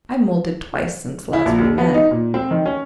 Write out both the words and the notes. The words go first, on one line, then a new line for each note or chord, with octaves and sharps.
I've moulted twice since last we met.
E4
A#1
D#2
B3
D#4
A#2
C4
D#3
C#4